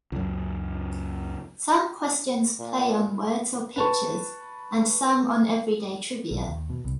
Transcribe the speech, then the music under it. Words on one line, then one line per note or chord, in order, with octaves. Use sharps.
Some questions play on words or pictures and some on everyday trivia.
C#2 F#2
A#2
B4 A5 C#6
B1
D#2
B2
C2